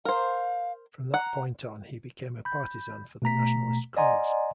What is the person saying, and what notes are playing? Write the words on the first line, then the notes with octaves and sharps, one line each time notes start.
From that point on he became a partisan for the nationalist cause.
A#4 C5 F5
F#5 A#5
B5 G6
B2 A3 A#5 B6
D5 D#5 F#5 G#5 A#5 C6